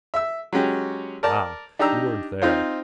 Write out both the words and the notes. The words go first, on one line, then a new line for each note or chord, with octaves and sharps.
Ah, you weren't there.
E5 E6
F#3 G#3 C#4 G4
A#4 D5 A5
D4 D#4 G4 A#5 E6
C4 D#4 F4 C5